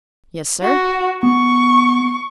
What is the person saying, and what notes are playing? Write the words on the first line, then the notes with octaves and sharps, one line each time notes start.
"Yes, sir."
F#4
B3 C#6